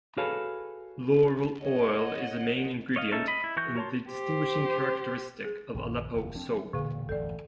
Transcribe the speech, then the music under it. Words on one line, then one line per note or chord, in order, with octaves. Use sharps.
Laurel oil is a main ingredient, and the distinguishing characteristic of Aleppo soap.
F#4 G#4 A4 B4 C#5 F5
C#5 D#5 F#5
C#5 D#5 F5
C#4 D#4 A4 E5
D#5 B5
E4
E3 F#4 C#6 G6
F#4 A#4 C#5 A5 C6
G4 C5
G#4
A#1 F#2 D#3
F1 D#2
F3 C4 D4
E1 A#2 D3 G#4 F5
E1 A1 G2 A4 D5